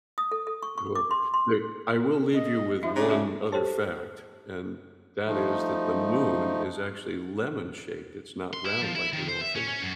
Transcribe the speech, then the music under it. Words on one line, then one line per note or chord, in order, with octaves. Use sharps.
Well, look, I will leave you with one other fact, and that is that the moon is actually lemon shaped it's not round like we all think.
D#6
A4
A4
C#6
C#6
D6
C6
C6
A4 D#5
F3 D#4 E5 C6
C#3 D4
A3 F#4 E5
G4 A4 C5 C#5 A5
F3 A3 D#4
C6
E4
F3
E4
D#3
C5
E5
C#4
C#4
F#2